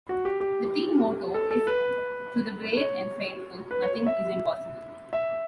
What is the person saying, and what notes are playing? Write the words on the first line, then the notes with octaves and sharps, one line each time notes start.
The team motto is To the brave and faithful, nothing is impossible.
F#4
G4
G4
G4
A4
A4
B4
C#5
B4
C#5
C#5
E5
E5